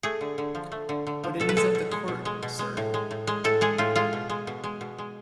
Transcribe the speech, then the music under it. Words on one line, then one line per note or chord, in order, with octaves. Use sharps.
But it is at the Court, sir.
A3 G#4
D3
D3
F3
A3
D3
D3
F3
B2 A4
B4
G#3 A4
B2
G#3
B2
G#3
B2
G#3
A2
G#3
A2
G#3
A2 A4
G#3 G#4
A2 F4
G#3 F4
B2
G#3
B2
G#3
B2
G#3